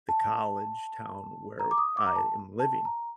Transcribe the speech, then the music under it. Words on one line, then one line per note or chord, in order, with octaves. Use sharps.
the college town where I am living.
A5
A#5
D6
D#6
D6
A#5
A5
A5
A#5